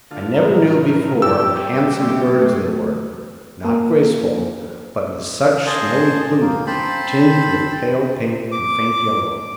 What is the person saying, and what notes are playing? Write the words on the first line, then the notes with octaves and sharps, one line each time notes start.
I never knew before what handsome birds they were; not graceful, but with such snowy plumage, tinged with pale pink and faint yellow.
D3 F4
A2 A#4
G3 G4 A4 E6
F#2 A2 C4
G#3 A3
A#3
G#4 C5 D#5 A5
A#3
C4 C5 A5 B5
D6